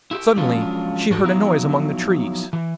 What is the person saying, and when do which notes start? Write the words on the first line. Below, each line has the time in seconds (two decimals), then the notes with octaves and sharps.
Suddenly she heard a noise among the trees.
0.11 E4 F#4 G4
0.37 F3 F#3 G#3 C#4 D4 F4
1.10 G#2 D4 F#4 G4 A4
1.23 F3 F#3 B3 D#4 E4
2.53 E3